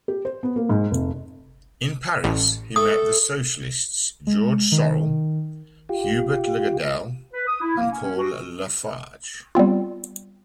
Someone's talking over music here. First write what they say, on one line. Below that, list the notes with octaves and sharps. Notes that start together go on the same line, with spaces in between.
In Paris he met the socialists Georges Sorel, Hubert Lagardelle and Paul Lafargue.
G4
C5
B3
A#3
G#2
F1
A1
A3 A4 G5 D#6
G#3
D#3
F4 G4
B4
D#6
E4
A#3
C#4
C#4
F#4
G3 B3 C4 F4